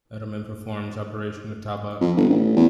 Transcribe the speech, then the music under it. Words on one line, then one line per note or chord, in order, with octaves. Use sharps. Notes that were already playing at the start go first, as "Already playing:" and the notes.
Edelmann performs the operation on Talbot.
F2
G1
A1
E2